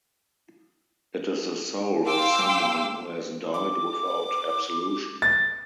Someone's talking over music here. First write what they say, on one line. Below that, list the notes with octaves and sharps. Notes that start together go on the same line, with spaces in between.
It is the soul of someone who has died without absolution.
F5 G5 C6 D6 E6
D6
A6